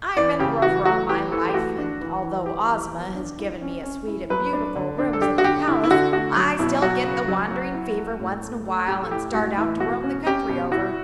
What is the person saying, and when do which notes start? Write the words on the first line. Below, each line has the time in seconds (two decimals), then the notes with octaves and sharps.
I've been a rover all my life, and although Ozma has given me a suite of beautiful rooms in her palace I still get the wandering fever once in a while and start out to roam the country over.
0.17 E3 D5
0.39 C#3 G4
0.62 E3 F#4
0.85 A3 F#4
1.09 E3 G4
1.32 E3 A4
1.49 G4
1.54 A3 F#4
1.78 D4
2.01 E3
2.24 E3
2.46 E3 G4
2.69 E3
2.93 B3
3.15 D4
3.38 E4
3.62 C#4
3.84 C#4
4.07 E4
4.30 F#3 B4
4.53 D4
4.76 D3
4.98 D4
5.13 A4
5.21 D4 G4
5.38 F#4
5.44 D3 G4
5.68 D3 E4
5.84 E4
5.91 D3 F#4
6.13 A3 F#4
6.36 F#3
6.59 B2 E4
6.82 F#3 F#4
7.04 C#3
7.28 F#3
7.51 F#3
7.74 E4
7.96 A3
8.20 A2
8.42 A3
8.66 A3
8.88 A2 G4
9.03 A4
9.11 E4 G4
9.34 A2 F#4
9.58 E3 E4
9.80 B2 F#4
10.03 C#4
10.26 C#4 G4
10.49 B2
10.71 E4 F#4